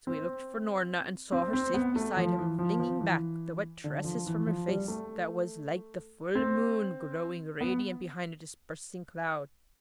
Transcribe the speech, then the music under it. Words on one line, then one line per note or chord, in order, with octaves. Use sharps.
So he looked for Noorna, and saw her safe beside him flinging back the wet tresses from her face, that was like the full moon growing radiant behind a dispersing cloud.
C4
C4
C4
B3
A3
F3
E3
F3
F3
E3
D3
F3
E3
F3
G3
A3
C4
B3